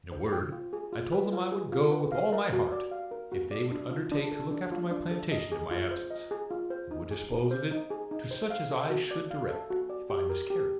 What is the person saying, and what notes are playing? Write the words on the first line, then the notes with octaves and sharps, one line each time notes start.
In a word, I told them I would go with all my heart, if they would undertake to look after my plantation in my absence, and would dispose of it to such as I should direct, if I miscarried.
C5
G5
F4
G#4
F4
B4
F4
G#4
F4
B4
F5
A#4
F#4
D5
F5
A#4
F#4
D5
D4
F4
D4
A4
D4
F4
D4
A4
D#5
G#4
F4
C5
D#5
G#4
F4
C5
D#4
G#4
D#4
C5
D#4
G#4
D#4
C5
F5
A4
F#4
D5
F5
A4
F#4
D5
G4
A#4
G4